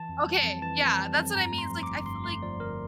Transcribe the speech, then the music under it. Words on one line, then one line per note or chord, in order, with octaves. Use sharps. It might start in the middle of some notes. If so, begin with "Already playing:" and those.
Okay. Yeah, that's what I mean it's like, I feel like
Already playing: E3 A5
F2
G3
A5
F2
E3 A5
F2
G3
F2
G2 A#5
A3
C6
F3
D6
G1
G2 C6
A3 C6
F3 D5
G1 A#4